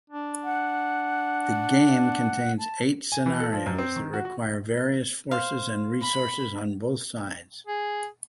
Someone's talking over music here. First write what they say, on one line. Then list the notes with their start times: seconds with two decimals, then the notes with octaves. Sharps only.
The game contains eight scenarios that require various forces and resources on both sides.
0.10 D4
0.43 F#5
2.58 A5
3.12 G#5
3.26 E3
3.40 A4
3.53 F3
3.66 F#2
3.79 C4
3.96 D#3
4.14 F#4
4.25 F#4
5.31 C5 F5
6.02 B5
7.67 G#4